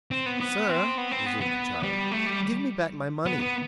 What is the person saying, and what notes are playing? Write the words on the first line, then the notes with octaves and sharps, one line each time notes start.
"Sir," resumed the child, "give me back my money."
C4
B3
B3
C4
B3
C4
B3
B3
G3
A3
G3
B3
B3